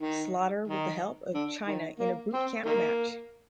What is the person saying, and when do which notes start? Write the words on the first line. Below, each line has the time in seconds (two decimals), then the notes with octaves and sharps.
Slaughter with the help of Chyna in a Boot Camp match.
0.01 D#3
0.68 D#3
1.34 D3
1.67 D#3
1.99 A#3
2.34 C4
2.66 D#3 A#3